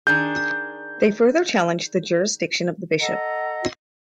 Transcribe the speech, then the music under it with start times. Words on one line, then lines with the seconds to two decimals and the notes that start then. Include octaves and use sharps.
They further challenged the jurisdiction of the bishop.
0.07 D#3 D4 G#4 G6
2.99 A4 D#5 F#5 A#5